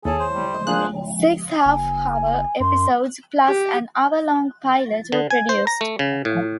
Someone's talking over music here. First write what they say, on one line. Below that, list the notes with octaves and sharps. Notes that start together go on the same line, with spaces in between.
Six half-hour episodes plus an hour-long pilot were produced.
D#2 E4 G#4 A4 C#5 A5
C5
G3
D#5
A#3 D4 F4 G#4 F#6
F#1 G#5
F#2 C6
G4
D3
G#5
C5
A#5
A3
C#3
A2